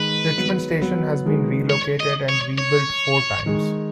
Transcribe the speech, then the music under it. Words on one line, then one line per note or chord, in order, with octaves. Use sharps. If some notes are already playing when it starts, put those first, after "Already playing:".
Richmond station has been relocated and rebuilt four times.
Already playing: D#3 G#3 B4
F#3 B3
F#3 B3
D#3 G#3
C#5
D#5
C#5
C#5
D#3 G#3